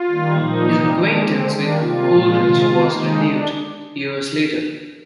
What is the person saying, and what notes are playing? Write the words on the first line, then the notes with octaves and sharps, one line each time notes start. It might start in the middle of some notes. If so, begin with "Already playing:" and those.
His acquaintance with Coleridge was renewed years later.
Already playing: F4
D#3 G3 A#3
A#2 F3 A#3 D#4
C3 G3 A#3
D#3 G#3 D4
D3 G#3 C4
D#3 G3 A#3 D4
C3 G3 A#3 F4
A#2
G#3
C3 D#3 G#3
D#3 A#3
D#3 G#3 D#4
D4